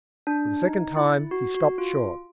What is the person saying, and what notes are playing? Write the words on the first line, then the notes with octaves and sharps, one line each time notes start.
For the second time, he stopped short.
D4
D#4
E4
F#4
F#4
F4